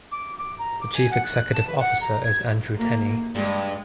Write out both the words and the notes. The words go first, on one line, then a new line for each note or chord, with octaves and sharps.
The Chief Executive Officer is Andrew Tenni.
D6
D6
A#5
D6
G#5
F#5
F#6
A5
B4
F#5
A#5
G#6
A#3
G2 G#3